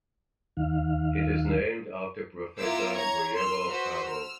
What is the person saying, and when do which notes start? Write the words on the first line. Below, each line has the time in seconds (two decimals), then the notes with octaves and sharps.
It is named after Professor Guillermo Haro.
0.57 D#2 D#3 F5
2.58 B3 E4 F4 A#4 D6 E6
2.92 C#5 A#5 C#6 G#6
3.36 C6 E6 F6
3.69 F#4 B4 C5 E6
4.03 E6 F6